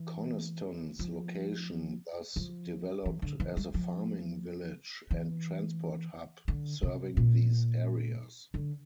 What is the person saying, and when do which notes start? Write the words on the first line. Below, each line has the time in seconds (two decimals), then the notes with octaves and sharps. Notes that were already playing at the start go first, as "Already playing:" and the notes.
Coniston's location thus developed as a farming village and transport hub, serving these areas.
Already playing: E3
0.99 F3
2.36 F3
3.05 E3
3.22 D3
3.40 E3
3.57 G3
3.74 F3
5.11 E3
6.48 D3
6.83 C3
7.17 A#2
8.54 D3